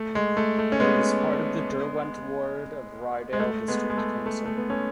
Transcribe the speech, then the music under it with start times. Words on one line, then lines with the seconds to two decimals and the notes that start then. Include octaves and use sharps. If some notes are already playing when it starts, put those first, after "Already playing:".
It is part of the Derwent ward of Ryedale District Council.
Already playing: A3
0.15 G#3
0.37 A3
0.59 A3
0.72 C#4
0.80 G#3 B3
3.33 G#3
3.39 A3
3.68 G#3 B3
3.90 G#3
3.98 A3
4.26 A3
4.46 A3
4.57 B3
4.70 A3 C#4